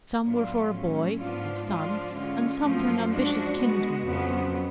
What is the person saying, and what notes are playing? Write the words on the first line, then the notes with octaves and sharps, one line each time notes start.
Some were for a boy, his son, and some for an ambitious kinsman.
A2 F#3 B3 D4 F4
A2 F#3 A3 C#4
G#2 F3 B3 D4 F4
F3 G#3 D4 F4
D3 G#3 C#4 F4
F#2 F3 A3 F4
F3 G#3 D4 F#4
B2 G#3 B3 F#4
F2 C#3 F#3 B3